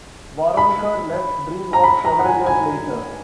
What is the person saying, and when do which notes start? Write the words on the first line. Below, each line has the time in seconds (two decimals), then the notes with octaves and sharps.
Waronker left DreamWorks several years later.
0.57 B5
1.73 A#5
1.84 B5
2.05 A#5
2.19 F#5
2.26 G#5
2.47 G#5